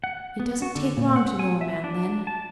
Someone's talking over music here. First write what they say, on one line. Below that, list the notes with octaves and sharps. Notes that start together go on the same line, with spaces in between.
It doesn't take long to know a man then.
F#5
B3
F#4
D3
A#2
F#5
G#5
E5
D4
A5